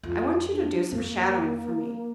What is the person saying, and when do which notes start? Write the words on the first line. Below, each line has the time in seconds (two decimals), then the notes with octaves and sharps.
"I want you to do some shadowing for me."
0.04 F2 F4
0.51 D4
0.89 G2 C4
0.98 F2 A#3